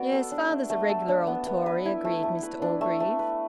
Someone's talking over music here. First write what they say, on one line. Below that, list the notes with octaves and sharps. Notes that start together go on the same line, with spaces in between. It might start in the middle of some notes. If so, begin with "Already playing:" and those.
"Yes, father's a regular old Tory," agreed Mr Orgreave.
Already playing: B3 F#4 D5
A4
D4
A3
A3
A4
D4
B3
B3
B4
E4
A3
A3
B4
D4
A3
A3
B4